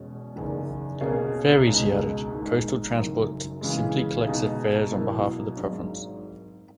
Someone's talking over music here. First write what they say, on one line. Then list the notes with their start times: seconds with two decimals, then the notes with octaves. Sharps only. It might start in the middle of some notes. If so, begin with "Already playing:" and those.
Ferries." He added, "Coastal Transport simply collects the fares on behalf of the province.
Already playing: E2 B2 G#3 C#4
0.36 F#1 E2 D#3
1.01 B2 A#3 C#4 G#4
1.66 C#2 B2 G#3 D#4
2.31 G#2 D#3 G#3 D#4
2.96 F#1 F#2 D#3 F#3
3.61 C#3 E3 G#3
4.26 B2 G#3 D#4
4.91 B2 F#3 A#3 E4
5.56 G#1 G#2 F#3